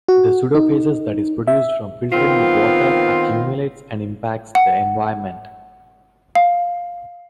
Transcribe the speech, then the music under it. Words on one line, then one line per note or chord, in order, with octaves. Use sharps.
The pseudofeces that is produced from filtering the water accumulates and impacts the environment.
F#4
D#4
E5
D#3 B3 C4 F4
F#5
F5